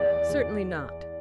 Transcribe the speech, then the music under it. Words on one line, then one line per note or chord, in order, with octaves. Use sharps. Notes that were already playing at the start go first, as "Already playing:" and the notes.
Certainly not.
Already playing: E2 D5
E2